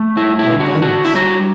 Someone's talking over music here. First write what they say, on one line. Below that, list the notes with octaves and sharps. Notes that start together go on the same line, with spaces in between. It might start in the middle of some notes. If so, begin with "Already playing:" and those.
He had done this.
Already playing: A3
G2 E4
E4
D3
F#4
D4 F#4
E4
G3 F#4